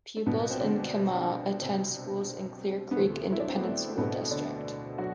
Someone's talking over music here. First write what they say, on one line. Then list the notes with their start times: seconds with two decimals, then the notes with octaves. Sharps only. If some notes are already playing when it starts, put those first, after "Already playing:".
Pupils in Kemah attend schools in Clear Creek Independent School District.
0.17 A3
0.26 C2 B2 B3
0.50 C4
0.60 D3 D4
1.61 C3 C4
2.91 B3
2.96 D2 C3 E3 A3
3.32 E4
3.40 D4
3.48 C4
3.56 B3
3.63 A3
3.88 A3
3.98 B2 B3
4.31 D3 D4
4.98 F#3 F#4